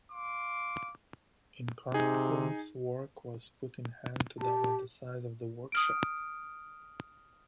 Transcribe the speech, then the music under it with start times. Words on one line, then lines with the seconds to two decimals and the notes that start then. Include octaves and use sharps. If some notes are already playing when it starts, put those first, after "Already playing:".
In consequence work was put in hand to double the size of the workshop.
0.12 F5 C6 D6
1.94 C3 D#4 G#4
4.40 G4 A5
5.72 D#6 F6 D7